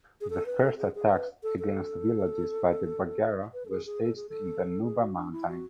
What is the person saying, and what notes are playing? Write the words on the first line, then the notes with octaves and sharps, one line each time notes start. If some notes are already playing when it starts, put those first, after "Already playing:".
The first attacks against villages by the Baggara were staged in the Nuba Mountains.
G#4
A4
B4
A4
G#4
G#4
B4
A4
A4
B4
A4
G#4
G#4
A4
G#4
A4
G#4
F#4
D4
E4
F#4